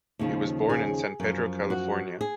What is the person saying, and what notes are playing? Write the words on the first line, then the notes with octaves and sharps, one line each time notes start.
He was born in San Pedro, California.
D#2 C#3 F3
G#4
F#2 F3
F#4
G#4